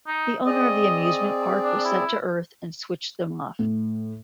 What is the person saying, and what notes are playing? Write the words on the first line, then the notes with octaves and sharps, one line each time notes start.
The owner of the amusement park was sent to Earth and switched them off.
D#4
C4 G#4 D5 D#5
D4
E4
A2